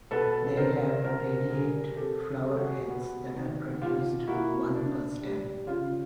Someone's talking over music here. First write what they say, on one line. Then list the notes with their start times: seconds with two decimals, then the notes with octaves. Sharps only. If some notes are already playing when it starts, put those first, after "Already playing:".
They have radiate flower heads that are produced one per stem.
0.11 B2 A4 B4
0.57 C4 A#4 C5
1.04 B2 A#4 C5
1.50 G3 G#4 A#4
1.96 C3 G4 A4
2.43 G3 G#4
2.50 A4
2.58 F#4 G#4
2.89 B3
3.35 D#3
3.82 B2 F4 G4
4.28 A#3 E4 F#4
4.75 D4
5.21 G3
5.67 C#3 F4